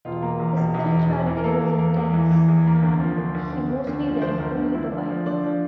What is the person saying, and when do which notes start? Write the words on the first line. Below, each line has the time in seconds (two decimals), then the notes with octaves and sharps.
His spirituality was intense, and he mostly read only the Bible.
0.05 E1 F4
0.22 A#3
0.40 E2
0.57 E1
0.74 E2
0.92 E1
1.09 E2
1.26 E3
1.37 A#4
1.44 A#3 A4
1.61 E2
1.79 A#3
1.96 E2
2.13 E3
2.31 E3
2.48 E2
2.65 A#3
2.83 D2
3.00 F3
3.18 D2
3.35 D2
3.52 D2
3.69 D3
3.87 D2
4.05 F3
4.22 D2 C5
4.39 D2 A#4
4.57 D3
4.74 D3 E4
4.91 F3 D4
5.09 F3
5.26 D3 D4
5.43 F3